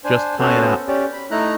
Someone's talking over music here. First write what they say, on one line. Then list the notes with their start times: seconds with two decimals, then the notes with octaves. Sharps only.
Just tie it up!
0.04 D4 C5 G#5
0.39 B3 C#4 F#4 A4 C5
0.88 C#4 G4 D5
1.12 B5
1.31 A3 D#4 E4 A#5 F#6